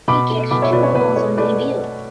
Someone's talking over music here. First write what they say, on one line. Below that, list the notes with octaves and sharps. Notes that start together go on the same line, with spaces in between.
He kicked two goals on debut.
B2 B5 D6
A3
B2 B5 D6
C#5 E5
B2 B4 D5
C#5
B2 B4
A3 C#5
A3 B4 D5
A3